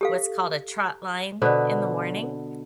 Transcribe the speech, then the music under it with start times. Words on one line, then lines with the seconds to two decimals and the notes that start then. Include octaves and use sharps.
what's called a trot line in the morning
0.01 G4 A4 F5
1.42 B2 D3 B4 C5 D5